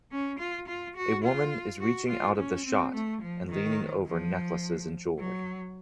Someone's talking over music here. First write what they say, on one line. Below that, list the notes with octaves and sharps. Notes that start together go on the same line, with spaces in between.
A woman is reaching out of the shot and leaning over necklaces and jewelery.
C#4
F4
F4
F#4
F4
F#4
F4
C#4
C4
A3
F3
D#3
F3
F#3